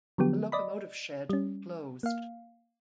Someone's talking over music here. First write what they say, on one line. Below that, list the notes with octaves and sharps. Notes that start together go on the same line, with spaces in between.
The locomotive shed closed.
D3 F3 F#3 B3 G4
D5 D#5 B5
G3 C#4
A#3 F5